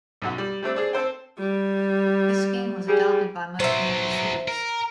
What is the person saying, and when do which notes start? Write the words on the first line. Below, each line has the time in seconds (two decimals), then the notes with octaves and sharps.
This scheme was adopted by most major cities.
0.22 B1 F#2 F#4
0.38 G3
0.62 G3 A3 C4 D4
0.75 C4 D4 G#4
0.93 C4 A4 C5 G5
1.39 G3
2.88 G3 G#4
3.60 F#3 B3 C5 E5
4.48 A#4